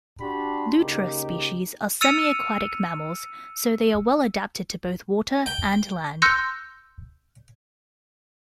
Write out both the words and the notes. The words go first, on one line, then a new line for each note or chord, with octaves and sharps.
"Lutra" species are semiaquatic mammals, so they are well-adapted to both water and land.
D4 F#4 G4 A5 B5 C6
C#3 A#3 D#4 G4
E6 F6 A6 C#7 D#7 F7
G5
C6 E6 F#6 G6 A#6 C#7